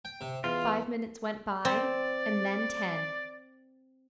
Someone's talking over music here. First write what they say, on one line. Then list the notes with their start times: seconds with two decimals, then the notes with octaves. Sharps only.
Five minutes went by and then ten.
0.05 G5
0.21 C3
0.44 E2 F4
1.65 C4 D5